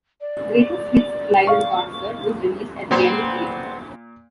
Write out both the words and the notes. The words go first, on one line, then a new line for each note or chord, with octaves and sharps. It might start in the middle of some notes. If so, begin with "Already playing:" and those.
"Greatest Hits-Live in Concert" was released at the end of the year.
D5
F5 C#6
A#2 B3 C4 C6